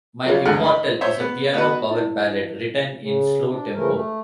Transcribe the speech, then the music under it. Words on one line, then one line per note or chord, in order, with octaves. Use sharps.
"My Immortal" is a piano power ballad written in slow tempo.
C#3 F#3 G3 F4
D2 G#2 D3 F#5 F6
D#4 B5 C6
C5 C#5 E5
B3
B3 D#4 F#4 B4
E4
C#3
D4
C#3 E3 F3 A3 A#4
A3